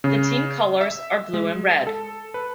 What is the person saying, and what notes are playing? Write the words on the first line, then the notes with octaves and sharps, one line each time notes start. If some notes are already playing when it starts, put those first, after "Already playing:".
The team colours are blue and red.
C#3
E5
G#3
A4
B4